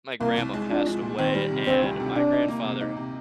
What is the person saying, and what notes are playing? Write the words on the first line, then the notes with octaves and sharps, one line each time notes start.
my grandma passed away, and my grandfather,
C2 A#3
C2
G#3
F3 D4
G#3
A#2
D#3 C4
G3
C3
D2 C4
G3
C3
C3 D4
D#4
A#3
C3
D#4
C3